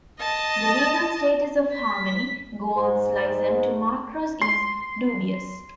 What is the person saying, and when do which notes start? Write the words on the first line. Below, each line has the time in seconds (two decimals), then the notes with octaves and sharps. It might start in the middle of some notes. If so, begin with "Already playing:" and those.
The legal status of Harmony Gold's license to Macross is dubious.
0.20 D#5 A5
1.74 B6
2.75 G#2
4.41 C6